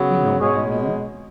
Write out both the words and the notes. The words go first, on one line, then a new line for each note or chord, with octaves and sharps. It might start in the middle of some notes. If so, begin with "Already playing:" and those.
You know what I mean.
Already playing: C#3 F#3 B3
B2 G#3 C#4 G#4 C#5